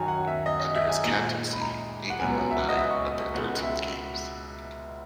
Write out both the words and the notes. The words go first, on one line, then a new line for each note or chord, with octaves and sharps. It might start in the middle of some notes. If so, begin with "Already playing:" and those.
Under his captaincy England won nine of their thirteen games.
Already playing: F#2 D#3 F#3 G#5
F#5
E5
D#5
D#5
E5
G#5
A#2 G#3 D#4
B5
A#5
F#5
C#2 B2 F#3 B3 G#5
F#5
E5
F#5
D#5
E5
C#6
D#6
D#6
C#2 B2 G#3 F#5
E5